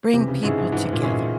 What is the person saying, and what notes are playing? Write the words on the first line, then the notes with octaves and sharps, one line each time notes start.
bring people together?
C3 E3
C#3
G#2 G#3 C#4 E4 G#4
G#2
G#2 E3
G#2
A#2
G#3 C#4 E4 G#4
G#2